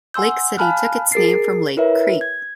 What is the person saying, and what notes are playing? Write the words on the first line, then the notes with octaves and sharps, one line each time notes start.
Lake City took its name from Lake Creek.
F#5 G#5 C6 E6 G6
F5 G#5 A5 B5 F6 F#6
G#4 A#4 A6 C7
E4 A#4 B4 C#5 E5
G#6